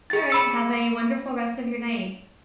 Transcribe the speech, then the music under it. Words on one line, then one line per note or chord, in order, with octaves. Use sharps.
All right, have a wonderful rest of your night.
G#4 A6
B5 E6 C#7